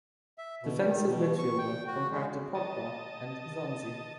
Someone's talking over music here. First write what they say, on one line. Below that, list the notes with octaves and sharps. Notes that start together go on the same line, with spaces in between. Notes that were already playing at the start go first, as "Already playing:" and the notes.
Defensive midfielder compared to Pogba and Nzonzi.
E5
B2
D#3
B2
C#6
G5
F#4
G#3
D#5 A5